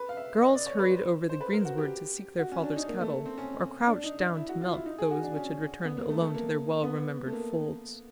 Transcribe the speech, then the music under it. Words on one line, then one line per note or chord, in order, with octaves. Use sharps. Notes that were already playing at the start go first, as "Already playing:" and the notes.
Girls hurried over the greensward to seek their fathers' cattle, or crouched down to milk those which had returned alone to their well-remembered folds.
Already playing: B4
F5
E5
D#5
D5
C#5
B4
C5
C5
B4
A#4
F#4
G4
F#4
C#4
D4
D#4
A#3
A3
C4
C#4
D4
D#4
D#4
E4
F#4
F4
E4
D#4
G#4
F#4
D4
C#4
B3
A#3
A3
A3
A#3
B3
A3
A#3